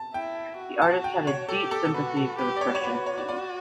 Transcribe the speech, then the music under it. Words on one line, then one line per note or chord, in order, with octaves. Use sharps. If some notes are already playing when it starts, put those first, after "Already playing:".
The artist had a deep sympathy for the Prussian king.
Already playing: A5
E4 G5
F#4
A5
G5
C#5
G4 A4
A4
A4
F#4 B4
A4
G4 B4
D5
C#5
C#5
F#4 B4
B4
C#5
D5
D5